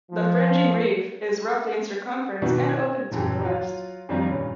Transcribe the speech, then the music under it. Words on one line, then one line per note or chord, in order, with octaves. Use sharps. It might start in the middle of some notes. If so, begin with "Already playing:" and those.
The fringing reef is roughly in circumference and open to the west.
F3
B2 D#3 B3 D4 E4 F#4
G#6
D#1 F#2 E3 G5
F#3 F4
F2 D#3 G3 D4 D#4 F4
G2 A#2 C#4